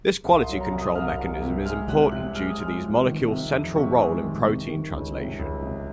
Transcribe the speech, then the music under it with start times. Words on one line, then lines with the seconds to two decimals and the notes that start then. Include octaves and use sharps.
This quality-control mechanism is important due to these molecules' central role in protein translation.
0.24 C2
0.42 C6
0.49 F#3
0.61 A#5
0.71 C2
0.78 D#6
0.95 C2 F6
1.18 C2
1.42 C3
1.65 G#3 F6
1.88 C3 F#6
2.12 C3 F#6
2.35 G#3 F6
2.47 D#6
2.59 G#3 F6
2.82 F3
3.05 D#3
3.28 C3
3.51 F2
3.76 C3 C#6
3.99 G#3
4.22 D#3
4.45 C3
4.68 D#3
4.92 C#2
5.16 C3
5.39 C#2
5.62 C3